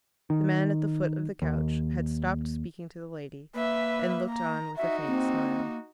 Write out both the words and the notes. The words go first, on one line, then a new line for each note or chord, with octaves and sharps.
The man at the foot of the couch had stopped speaking to the lady, and looked on with a faint smile.
D#3
D#2
A#3 B4 E5
A#5
D#4 F#4 E5
A#3 C4